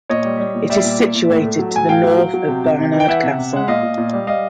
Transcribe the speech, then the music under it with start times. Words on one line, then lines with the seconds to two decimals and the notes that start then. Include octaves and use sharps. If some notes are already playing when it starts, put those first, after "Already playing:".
It is situated to the north of Barnard Castle.
0.09 A#2 C#5 D#5
0.25 G3
0.39 G3
0.55 A#2
0.70 G3 D5 E5
0.84 A#2
0.99 A#2
1.15 A#2
1.30 A2
1.45 A3
1.59 F#3
1.74 A2 G#5
1.89 A2 F5 G5
2.03 F#3
2.19 F#3
2.34 F#3
2.48 C3
2.64 C3
2.79 C3
2.93 E3
3.00 G5
3.08 E3 E5 F#5
3.23 C3
3.38 C3
3.53 G#3 F#5
3.68 A#2 D#5 F5
3.83 A#2
3.98 A#2
4.13 G3
4.27 G3 D#5 F5